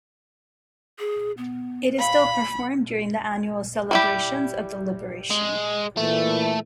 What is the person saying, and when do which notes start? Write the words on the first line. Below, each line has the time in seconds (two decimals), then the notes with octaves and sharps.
It is still performed during the annual celebrations of the liberation.
0.99 G#4
1.38 B3
1.99 F5 B5
3.91 G3 E4 G4
5.30 G#3
5.97 A#2 E3 A3